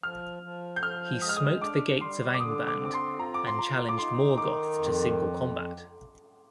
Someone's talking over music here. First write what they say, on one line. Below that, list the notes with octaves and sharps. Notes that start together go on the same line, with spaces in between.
He smote the gates of Angband and challenged Morgoth to single combat.
F3 F6
F3
G6
F3 F6
G#3 D#6
F6
D#6
D4 D6
G3 C6
D6
D3 D#6
D6
C4 D6
C6
F4 A#5
D6
C6
F4 A#5
D6
D#4 C6
D#3 D6
F2